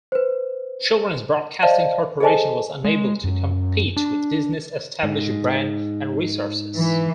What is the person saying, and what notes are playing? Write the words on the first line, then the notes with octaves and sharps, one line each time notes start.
Children's Broadcasting Corporation was unable to compete with Disney's established brand and resources.
B4 C5
C5 D5 D#5 F5 A5
G#4 A4 C5 D#5 G#5 A5
G#3
F#2
D4
G#2
E3